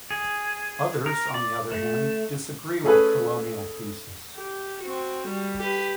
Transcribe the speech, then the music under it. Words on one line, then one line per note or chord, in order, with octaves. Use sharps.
Others, on the other hand, disagree with colonial thesis.
G#4
A#4
D5
A3
A3 C#4 G#4 A4 B4
G4
C4 F#4
G3
G4 B4